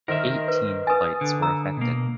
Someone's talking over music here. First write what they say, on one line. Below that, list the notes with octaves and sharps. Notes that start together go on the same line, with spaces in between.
Eighteen flights were affected.
D#3 A#4 C5 E5 F6
B4
B4 G#5 D#6 A6
D3
A#5 E6
B2 A#3